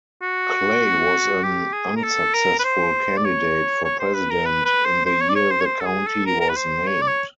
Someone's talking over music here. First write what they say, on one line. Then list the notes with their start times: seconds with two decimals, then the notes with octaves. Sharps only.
Clay was an unsuccessful candidate for President in the year the County was named.
0.22 F#4
1.43 G4
1.73 G#4
1.96 A#4
2.03 A4
2.34 A#4
2.59 B4
2.64 C5
3.17 D5
3.25 C#5
3.85 C#5
4.00 C5
4.15 B4
4.30 A#4
4.45 B4
4.65 B4
4.85 C5
5.06 C5
5.21 C#5
5.29 D5
5.36 C#5
5.51 C5
5.61 C#5
5.66 C5
5.80 A4
5.86 G#4
6.07 A4
6.26 A#4
6.40 A#4
6.49 B4
6.57 C5
6.87 C#5
7.01 D5
7.07 C#5